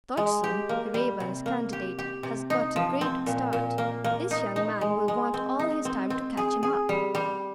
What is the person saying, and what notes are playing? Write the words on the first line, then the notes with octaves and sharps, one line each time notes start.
Dodgson, the Raeburns' candidate, has got a great start; this young man will want all his time to catch him up.
G#3
G4
A#3
G3
C3
A#3
G4
G4
C3
D#4
F3
C4
A#2
A#2
A#3
A#3
D#4
D#4
G#3
G#3
C4
D#4
C4
C4
G#4
G#4
G3
G3